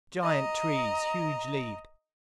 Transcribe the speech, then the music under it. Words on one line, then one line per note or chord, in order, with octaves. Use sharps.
Giant trees, huge-leaved.
D#5 A#5